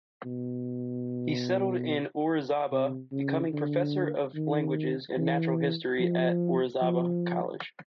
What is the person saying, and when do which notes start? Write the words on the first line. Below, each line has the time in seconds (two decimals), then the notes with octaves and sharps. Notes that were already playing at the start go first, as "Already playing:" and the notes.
He settled in Orizaba, becoming professor of languages and natural history at Orizaba College.
0.25 B2
2.71 C3
3.12 C#3
3.53 D3
4.35 D#3
5.17 E3
5.99 F3
6.81 F3